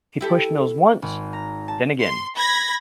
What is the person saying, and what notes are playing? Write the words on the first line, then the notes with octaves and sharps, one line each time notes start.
He pushed Mills once, then again.
E4 G4 A4
G#1
A#5
A5
C6
B5 G#6 A#6